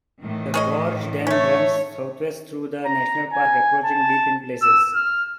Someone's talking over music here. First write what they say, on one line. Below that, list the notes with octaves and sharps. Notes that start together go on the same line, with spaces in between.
The gorge then runs southwest through the national park, approaching deep in places.
A2 D#3 E3
G#4 C#5 D#5
A3 C#4 C#5
A#5
G#5
A5
E6
F6